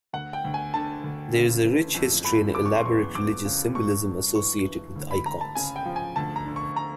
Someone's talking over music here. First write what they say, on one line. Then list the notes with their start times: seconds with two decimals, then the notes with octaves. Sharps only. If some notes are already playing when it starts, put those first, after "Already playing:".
There is a rich history and elaborate religious symbolism associated with icons.
0.13 D2 F#5
0.33 G5
0.44 D2
0.54 G#5
0.74 D3 A5
1.04 D2
1.34 C#3
1.64 E3
1.95 F2
2.24 F2 B5
2.55 C#3 D6
2.65 C#6
2.75 C6
2.85 E2 C#6
3.15 E2 D6
3.45 C#3
3.75 G2 C#6
4.05 G2
4.35 E3 C#6
4.65 E3
4.96 D2
5.11 B5
5.25 D2 A#5
5.41 A5
5.55 C#3 G#5
5.76 G5
5.85 F3
5.96 G#5
6.16 D2 A5
6.36 A#5
6.46 D3
6.56 C#6
6.76 A#5